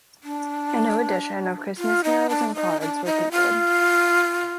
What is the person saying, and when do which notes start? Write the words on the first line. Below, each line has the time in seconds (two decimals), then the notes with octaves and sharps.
A new edition of Christmas carols and cards were printed.
0.24 D4
1.78 F4
2.04 D#4
2.29 D4
2.55 D#4
2.81 D4
3.06 D#4
3.31 F4